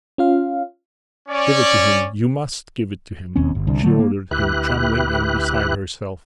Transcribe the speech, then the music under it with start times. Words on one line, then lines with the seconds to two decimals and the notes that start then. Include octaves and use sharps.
"Give it to him, you must give it to him!" she ordered him, trembling and beside herself.
0.18 C#4 F4 F5
1.28 C#4 D5
3.36 E1 D#2 C4 C#4
3.55 G1
3.67 C2 D3
3.83 D3 F3 F#3 A3
3.99 A#3
4.31 D2 E4 G4 B4 F#6